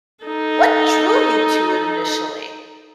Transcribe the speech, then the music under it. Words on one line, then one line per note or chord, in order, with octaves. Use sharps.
what drew you to it initially?
D#4 A4